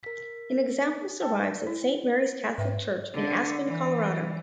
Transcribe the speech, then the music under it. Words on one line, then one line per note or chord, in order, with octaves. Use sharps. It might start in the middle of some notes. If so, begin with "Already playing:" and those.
An example survives at Saint Mary's Catholic Church in Aspen Colorado.
A#4 B6
A4 G5
E4
G#2 B4 E5 G5
D3
E3